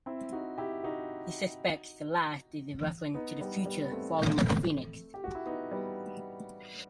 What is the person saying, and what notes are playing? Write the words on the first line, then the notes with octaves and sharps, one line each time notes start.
He suspects the last is a reference to the "Future" volume of "Phoenix".
C4 E4
D#4 F#4
E4 G4
D#4 F#4
B3 D#4
G3 B3
G3 B3
B3
A3 C4
G4
F#4
E4
B3 D#4
G3 B3